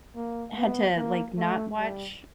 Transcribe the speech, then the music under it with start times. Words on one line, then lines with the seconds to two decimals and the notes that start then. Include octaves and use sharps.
Had to, like, not watch
0.16 A#3
0.56 B3
0.96 A#3
1.37 A3
1.78 G3